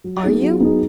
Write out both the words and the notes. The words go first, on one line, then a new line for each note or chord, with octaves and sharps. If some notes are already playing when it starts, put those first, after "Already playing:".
"Are you?"
F#3
B3 D#4 G#4
F#3
B3 D#4 G#4